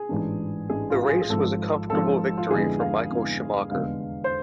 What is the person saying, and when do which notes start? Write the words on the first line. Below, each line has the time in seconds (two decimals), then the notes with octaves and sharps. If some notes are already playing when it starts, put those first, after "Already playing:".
The race was a comfortable victory for Michael Schumacher.
Already playing: G#4
0.09 A1 G#2 E3 G#3 D4
0.69 A1 G#2 E3 G#3 D4 G#4
0.90 F4
1.09 G#4
1.22 G#4
1.29 G#1 G#2 F3 A4
1.90 G#1 G#2 F3 A4
2.37 F4
2.50 F2 D3 G#3 B3 E4 G#4
2.80 F5
3.11 F2 D3 G#3 B3 E4
3.71 F1 E2 D3 G#3 B3 F5
4.24 C5